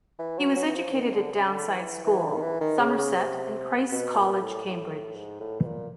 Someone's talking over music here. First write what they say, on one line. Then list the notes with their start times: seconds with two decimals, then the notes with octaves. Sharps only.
He was educated at Downside School, Somerset, and Christ's College, Cambridge.
0.19 E3
0.38 F#3
0.56 F#3
0.69 E3
0.75 F3
0.93 D#3
1.12 D3
1.31 C#3
1.49 D3
1.68 E3
2.05 E3
2.24 D3
2.34 D#3
2.42 E3
2.61 D#3
2.80 C#3
2.98 C#3
3.17 C3
3.92 B2
4.16 A#2
4.41 A2
4.66 A2
4.90 A2
5.16 G#2
5.40 A2
5.60 B2
5.65 A#2